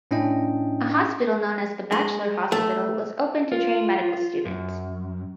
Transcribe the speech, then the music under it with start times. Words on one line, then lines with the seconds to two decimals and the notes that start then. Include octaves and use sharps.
A hospital known as the Batchelor Hospital was opened to train medical students.
0.11 A2 C#4 D4 E4 D#5 G5
1.92 G#3
2.52 A3
3.52 F4
4.45 F#2